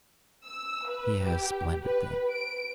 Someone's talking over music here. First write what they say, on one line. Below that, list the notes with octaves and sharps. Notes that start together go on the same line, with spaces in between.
He has splendid things.
E6
B4
G4
B4
D7